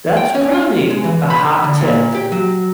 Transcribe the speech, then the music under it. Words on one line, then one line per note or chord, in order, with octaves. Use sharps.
that's probably a hot tip.
G5
C#4
G#3
E3
B5
D3
A#2
G4
F#3